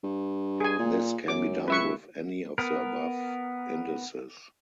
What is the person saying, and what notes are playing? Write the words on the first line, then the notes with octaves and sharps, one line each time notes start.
This can be done with any of the above indices.
G2
G#4 G#5
A#2
F#2 D6
C#2 B4 E5 C#6
B3 A#4